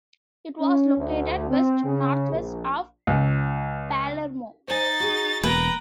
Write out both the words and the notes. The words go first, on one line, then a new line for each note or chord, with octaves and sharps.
It was located west-northwest of Palermo.
C#4
D2
C4
C#3
A#1
C#2
D#4 C5 G#5 A6
F#4 G#4
E1 A#3 B4 G5 A#5